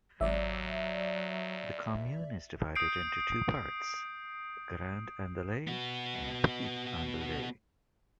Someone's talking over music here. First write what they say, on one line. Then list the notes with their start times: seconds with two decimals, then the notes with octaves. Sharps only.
The commune is divided into two parts, Grand-Andely and Petit-Andely.
0.21 G#1 D#2 F#3 D5 E5
2.76 D#6 G6 C7 D7
5.67 B3 F#4